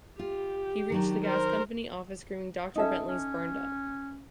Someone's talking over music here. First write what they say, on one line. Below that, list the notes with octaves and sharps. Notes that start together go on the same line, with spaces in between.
He reached the gas company office screaming Doctor Bentley's burned up!
F4 G4
D#3 F#3 D4
A#4 C5
C#4 D#4 A4 E5
C#4